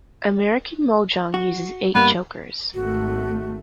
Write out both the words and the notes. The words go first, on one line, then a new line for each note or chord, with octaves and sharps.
American mahjong uses eight jokers.
F#4
G2 A#3 B3
G#1 A3 F#4